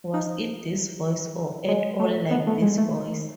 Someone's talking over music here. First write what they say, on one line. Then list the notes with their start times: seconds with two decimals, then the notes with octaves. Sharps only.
Was it this voice, or at all like this voice?
0.14 D#4
1.68 G#3
1.99 A3
2.31 B3
2.47 A3
2.62 G#3
2.77 A3